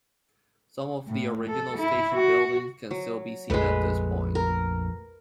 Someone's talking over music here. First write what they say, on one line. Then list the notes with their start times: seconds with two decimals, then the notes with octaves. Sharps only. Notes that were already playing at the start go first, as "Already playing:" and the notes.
Some of the original station buildings can still be seen at this point.
1.07 A2
1.49 A4
1.77 E4
2.14 F#4
2.91 F#3
3.50 A#1 F2 G#3 A3 B4
4.35 A#4